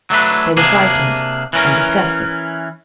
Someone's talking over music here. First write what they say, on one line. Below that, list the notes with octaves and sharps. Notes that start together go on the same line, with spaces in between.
They were frightened and disgusted.
F#3 A3 D4 B4
C3 A#3 D4 G#4
E3 C#4 A#4